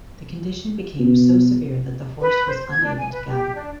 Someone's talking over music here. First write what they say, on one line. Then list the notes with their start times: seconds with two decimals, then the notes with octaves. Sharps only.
The condition became so severe that the horse was unable to gallop.
0.99 B2
2.21 B4
2.47 C5
2.70 G#6
2.83 D4
2.98 G#5
3.12 B4
3.29 G4
3.55 D4